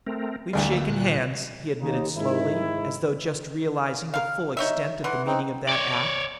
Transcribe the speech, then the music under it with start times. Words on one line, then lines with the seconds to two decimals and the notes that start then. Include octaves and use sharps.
"We've shaken hands," he admitted slowly, as though just realizing the full extent of the meaning of that act.
0.07 A3 C4 A#4
0.53 A1 D2 G3 G#4
0.71 A#3 E6
0.89 A#2 F#6
1.80 D#2 D#4
2.16 G#2 D#3 E4
4.14 A#4 F5
4.57 D#4 C#5 E5
5.04 E3 F#5 C6
5.26 C4 D#4
5.69 C#5 D5